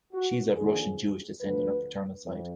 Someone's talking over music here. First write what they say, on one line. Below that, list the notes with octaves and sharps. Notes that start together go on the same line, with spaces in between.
She is of Russian Jewish descent on her paternal side.
F#4
D#2 D3 F3 G#4
D2 D3 F3 B4
F2